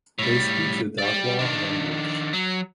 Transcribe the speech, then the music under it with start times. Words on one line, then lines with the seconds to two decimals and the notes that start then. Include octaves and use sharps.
They speak the Dargwa language.
0.19 A2 G3
0.98 G4 D5
1.39 D#3 D4
2.33 F#3